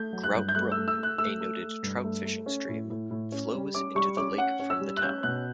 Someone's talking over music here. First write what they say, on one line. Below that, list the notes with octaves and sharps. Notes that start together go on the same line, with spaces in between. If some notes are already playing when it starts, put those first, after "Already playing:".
Grout Brook, a noted trout-fishing stream, flows into the lake from the town.
Already playing: A3 G6
F#3
F#6
G2
G6
A3 F#6
E6
A3
E6
A3
F#6
A3 E6
A3
A3
G2
A3
A3
C#4
A2
A2
A2
C#4
G3
C#4 D6
G3 C#6
C#4 D6
C#4 F#5
C#4
E6
G3
F#6
C#4 G6
B2 F#6